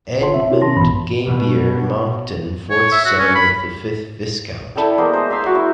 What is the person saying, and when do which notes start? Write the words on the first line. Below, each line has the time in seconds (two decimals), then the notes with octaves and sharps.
Edmund Gambier Monckton, fourth son of the fifth Viscount.
0.20 G1 F4 C#5 F#5 A5 C6
0.34 C4 E5
0.50 C4 E4 F#4 G4 A#4 C#5
0.62 D#3 C#4 A5 C6 A#6
0.76 A#1 G2 E3 B3 B5
1.26 B2
2.70 C#5
2.92 E5
3.05 F#4
3.19 C#4
3.35 B5
4.76 E4 A4 D5 G5
4.98 G#3 A#3 B3 C5
5.13 C5 D#5
5.30 E5 F5 C6 E6
5.42 F#4 G#4 E5 D6
5.55 E4